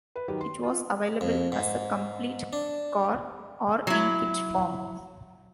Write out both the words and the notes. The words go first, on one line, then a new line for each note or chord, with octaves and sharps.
It was available as a complete car or in kit form.
B4
D#3 F#3 G4 B4
C6
F4
F2
G#2
D4
F#3 E4